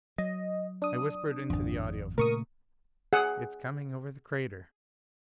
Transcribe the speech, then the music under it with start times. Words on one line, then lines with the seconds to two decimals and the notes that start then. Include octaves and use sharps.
I whispered into the audiphone, "It's coming over the crater."
0.18 F#3 D#5
0.82 D4 D#6
1.50 G#1 F2
2.18 A#2 C#3 A3 A#4 C#6 D#6
3.13 G#4 F#5